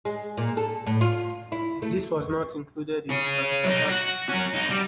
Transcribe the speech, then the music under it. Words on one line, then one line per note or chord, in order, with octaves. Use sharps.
This was not included in Panchappathi.
G#3
A#2
A4
A2
F4
E4
A3
G#4 C#5
F#3 D#4
F#4
F#3 C#4
D#4 F#4
G3